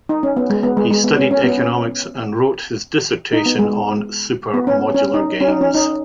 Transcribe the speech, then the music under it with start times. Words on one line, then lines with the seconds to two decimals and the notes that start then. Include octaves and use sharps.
He studied Economics and wrote his dissertation on supermodular games.
0.09 D#4
0.23 C#4
0.37 B3
0.50 G#3
0.63 B3
0.77 G#3
0.91 G#3
1.04 B3
1.17 C#4
1.31 C#4
1.44 B3
1.58 C#4
3.33 D#4
3.46 B3
3.59 G#3
4.54 B3
4.67 C#4
4.94 C#4
5.14 D#4
5.41 C#4
5.48 D#4
5.61 C#4
5.75 D#4